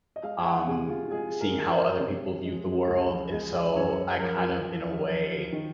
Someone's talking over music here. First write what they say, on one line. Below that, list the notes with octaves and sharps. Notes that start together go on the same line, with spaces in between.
um, seeing how other people viewed the world, and so I kind of, in a way,
D#5
G#3 F5
G#5
F#5
C3 G#4
F4
G#3 G#4
A#4
G#3
C5
A#4
C5
C3 C#5
G#3
C#2
G#3
F#2 C#5
F3 A#4
F3
F3
D#3